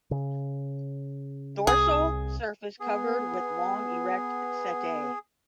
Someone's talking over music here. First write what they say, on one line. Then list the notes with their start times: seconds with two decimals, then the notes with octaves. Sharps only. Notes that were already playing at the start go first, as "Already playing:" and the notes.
Dorsal surface covered with long erect setae.
0.11 C#3
1.67 C2 G#4
2.80 B3 G#4